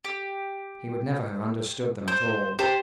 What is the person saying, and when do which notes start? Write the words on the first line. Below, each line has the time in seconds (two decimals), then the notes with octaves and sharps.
He would never have understood them at all.
0.04 G4
2.08 C5
2.59 G4 C5 A5 C6